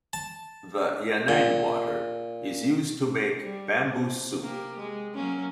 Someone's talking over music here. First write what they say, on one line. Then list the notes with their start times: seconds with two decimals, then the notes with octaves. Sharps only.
The yanang water is used to make bamboo soup.
0.13 A5
1.28 A#2
3.41 G3
3.84 C3
4.42 A#3 G4
4.79 G#3
5.14 F#3 A#3 C#4